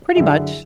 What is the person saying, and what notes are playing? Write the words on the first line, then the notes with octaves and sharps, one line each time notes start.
Pretty much.
F#2 D3 E4 G#4